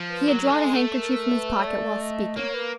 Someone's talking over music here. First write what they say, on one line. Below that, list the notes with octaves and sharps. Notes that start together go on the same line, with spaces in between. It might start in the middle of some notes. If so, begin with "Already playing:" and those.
He had drawn a handkerchief from his pocket while speaking.
Already playing: F3
B4
F#3 A#4
A#4
G#3 A4
A3 A4
A#4
B4
C#5
D5
D#5
A#3 C#5
B4